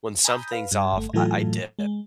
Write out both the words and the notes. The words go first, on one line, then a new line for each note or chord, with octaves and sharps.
when something's off, I I dip.
G#5 A#5 B5 D#6 G6
B4 F5
G2
G1 A3
A2 E3 F#3 A3 F4 A4
G#3